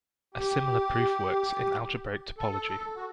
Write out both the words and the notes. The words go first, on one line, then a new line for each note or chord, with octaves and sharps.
A similar proof works in algebraic topology.
G4
A4
F#4